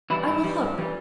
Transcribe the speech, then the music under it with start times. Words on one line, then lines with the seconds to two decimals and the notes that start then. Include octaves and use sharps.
I will hope.
0.10 E3 G3 E4
0.27 G2 E4
0.43 E3 G3
0.61 G2
0.78 E3 G3